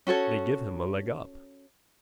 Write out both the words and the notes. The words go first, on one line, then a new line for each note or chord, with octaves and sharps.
They give him a leg up.
C#4 F#4 A4 C#5